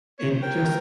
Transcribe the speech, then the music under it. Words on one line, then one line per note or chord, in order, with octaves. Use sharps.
It just
C#5
C5
A#4 G5